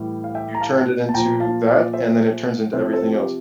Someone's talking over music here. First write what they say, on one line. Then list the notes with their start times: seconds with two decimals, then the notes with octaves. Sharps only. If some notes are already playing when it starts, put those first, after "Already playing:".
you turned it into that, and then it turns into everything else.
Already playing: A2 E3 G3
0.24 F5
0.35 E5 G5
0.55 A#5
0.61 F5 A5
1.09 A5
1.14 A#2 F3 G5 A#5
1.40 F5 A5
1.67 D5 F5
1.93 C5 E5
2.73 C3 F3 C5 E5
2.93 A4 C5
3.13 G4